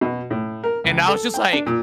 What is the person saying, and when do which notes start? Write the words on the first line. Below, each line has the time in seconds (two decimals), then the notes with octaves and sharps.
And, I was just like,
0.01 B2
0.30 A2
0.64 A#4
0.84 C#2
1.08 A4
1.34 G5
1.53 D4
1.66 A#2